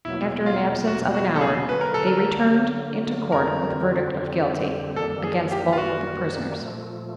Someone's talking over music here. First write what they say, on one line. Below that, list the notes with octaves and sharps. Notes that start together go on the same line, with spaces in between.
After an absence of an hour, they returned into court with a verdict of "Guilty" against both the prisoners.
E2 B2 F#3 A#3 E4
F4
E2 B2 F#3 A#3 F#4
F#4
A4
G#4
D3 F#3 A#3 B4
A#4
A4
A#4
D3 F#3 A#3
F2 D3 G3 C4 A#4
F2 D3 G3 C4
F#2 D#3 G3 A#3 A4
G#4
G4
F4
F#2 D#3 G3 A#3 F#4
A#2 F3 A3